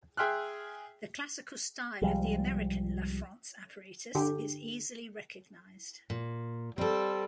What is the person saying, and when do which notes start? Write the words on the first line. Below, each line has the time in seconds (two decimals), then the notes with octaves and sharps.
The classical style of the American LaFrance apparatus is easily recognized.
0.17 G#4 E5 G5 C6 F6 F#6
2.02 C2 F3 G3 G#3
4.15 D3 G4
6.10 A#2
6.78 G3 C4 A4